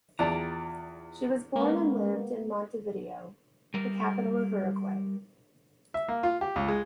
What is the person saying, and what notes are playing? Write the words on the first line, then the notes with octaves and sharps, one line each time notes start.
She was born and lived in Montevideo, the capital of Uruguay.
E2 F4 D5 G5 A5 A#5
G#3 A#3 B3 C#4
G3 A#4
E5
A#3
F4
G4
C#2
G#3